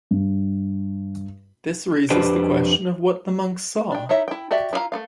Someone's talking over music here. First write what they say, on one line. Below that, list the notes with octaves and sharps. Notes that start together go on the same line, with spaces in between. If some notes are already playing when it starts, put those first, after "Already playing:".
This raises the question of what the monks saw.
G2
F2 D4 G4 B4 C5
D4 G5
D#4 E4 C#5 E5
E4 G5
F#4 G4 D5 E5
E4 F4 C5 F5 A#5
A3 F4 F5